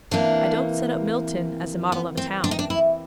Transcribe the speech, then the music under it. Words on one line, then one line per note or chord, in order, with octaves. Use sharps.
'I don't set up Milton as a model of a town.'
C3 E3 G3 A#3 D4
B3
C4
D4
D#4
D4
E4